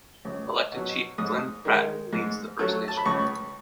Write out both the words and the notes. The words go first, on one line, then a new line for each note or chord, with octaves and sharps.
Elected Chief Glen Pratt leads the First Nation.
C#2
B2 F#3
G#2 D#6
D#3 G#3
G#2
F#3 A3
A5
B5
C#2 C#6